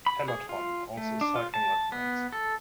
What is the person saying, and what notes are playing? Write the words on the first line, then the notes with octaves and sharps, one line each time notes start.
"Peloton" - also a cycling reference.
B5
G#4
F4
A3
D4
F4
A5
B3
A4